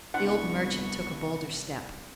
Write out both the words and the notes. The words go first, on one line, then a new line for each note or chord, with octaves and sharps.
The old merchant took a bolder step.
C2 B3 D4 E4 F#5 C#6